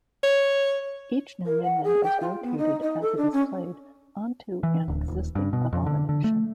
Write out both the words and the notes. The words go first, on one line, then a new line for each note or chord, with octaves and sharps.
Each new minion is rotated as it is played onto an existing abomination.
C#5
A#4
F#5
G#4
G5
F4
B3
D#4
D#4
A4
D4
C#4
E3
D1
D#1
G2
B2
F2
D3
D3
A3